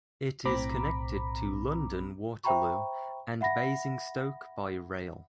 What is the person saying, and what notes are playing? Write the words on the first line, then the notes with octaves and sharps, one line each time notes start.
It is connected to London Waterloo and Basingstoke by rail.
B1 A2 C4 A#5 B5 D6
C5 E5 G5 A#5 B5 C#6
E5 F#5 B5 A#6